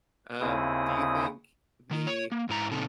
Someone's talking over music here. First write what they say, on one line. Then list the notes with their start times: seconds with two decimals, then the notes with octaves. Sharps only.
Um, do you think the
0.41 D#2 C#3 C4 E4 D#6
1.91 D#3 D#4
2.07 C#5
2.32 A#3
2.49 G#2 E4 A#5
2.71 A#2 C#3 C4 D#4 A4